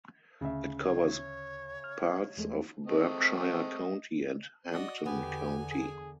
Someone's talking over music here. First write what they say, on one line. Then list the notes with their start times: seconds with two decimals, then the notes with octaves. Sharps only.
It covers parts of Berkshire County and Hampden County.
0.41 D2 C#3 E5
0.80 C#5
1.84 F6
2.37 E2 G#3 A3
2.87 G#3 A3 C4 D#5
4.72 F#4 D5 D#5
5.06 E2 D3 B3 G4 G#5
5.70 G#4